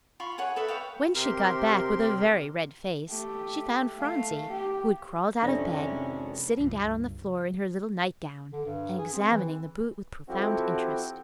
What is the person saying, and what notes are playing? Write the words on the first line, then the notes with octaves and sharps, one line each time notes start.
When she got back with a very red face, she found Phronsie, who had crawled out of bed, sitting down on the floor in her little nightgown and examining the boot with profound interest.
F4 B5 C#6
G#4 C#5 F#5
A4 B4 E5 D#6
B4 C#5 F5 G5
C3 C4 G4 A#4 C6
A3 G4
A3 F5
G4
G#1 F2 C3 C#4 D4 D5 A#6
C#2 G2
D3
G2
G#4
C4
E3
F3 C4 E4 F#4 G4 A4